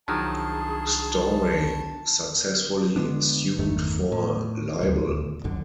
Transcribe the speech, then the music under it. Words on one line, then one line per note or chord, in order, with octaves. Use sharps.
Storey successfully sued for libel.
C2 D#3 F3 F#3 D4 G#4 A5
D3 G#3 B3 D4
G1 E2 D#3 A3
A2
D#1 D2
D#1 A#1 F#2 D3